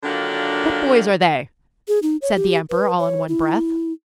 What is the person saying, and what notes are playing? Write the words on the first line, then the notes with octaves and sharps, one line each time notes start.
What boys are they?' said the emperor all in one breath.
D3 D#3 F#3 A#3 D4 F4
G#4
D#4
C#5
G4
B4
C#5
E4